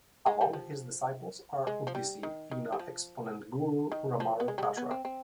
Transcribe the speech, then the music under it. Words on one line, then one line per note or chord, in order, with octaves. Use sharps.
Among his disciples are Odissi Veena exponent Guru Ramarao Patra.
G#3
G3
F3
G#3
F3
G3
D#3
D#3
G3
F3
D#3
F3
B3
G#3
G3
G#3
B3
C4
C4